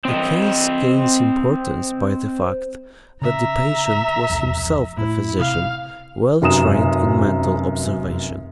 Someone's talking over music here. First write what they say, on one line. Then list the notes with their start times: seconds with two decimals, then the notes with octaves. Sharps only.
The case gains importance by the fact that the patient was himself a physician well trained in mental observation.
0.05 C4 D#5
3.22 C#3 E5 A#5
4.30 E1 C2 F2
4.97 A2 E4
5.39 C3 F5
6.42 F1 F#2 A#5 D#6 E7